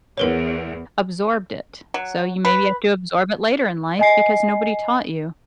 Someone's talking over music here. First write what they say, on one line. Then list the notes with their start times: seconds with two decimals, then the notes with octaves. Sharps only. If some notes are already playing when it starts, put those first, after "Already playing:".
absorbed it? So you maybe have to absorb it later in life because nobody taught you.
0.17 E2 A#4 B4 C#5
1.94 F#3
2.45 B4
3.99 D#5 G#5 C7